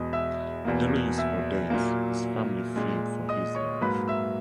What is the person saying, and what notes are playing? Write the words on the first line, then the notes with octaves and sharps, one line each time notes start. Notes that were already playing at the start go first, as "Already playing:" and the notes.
Delirious for days, his family feared for his life.
Already playing: E2 B2 G#3 D#5 D#6
E5 E6
E2 B2 A#3
E5 E6
A#2 F#3 A#3
A#2 G#3
D#5 D#6
C#5 C#6
G#2 F#3 A#3 B4 B5
E5 E6